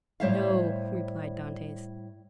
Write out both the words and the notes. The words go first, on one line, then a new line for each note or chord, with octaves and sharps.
"No," replied Dantes.
A2 G3 C5 C#5 E5 F5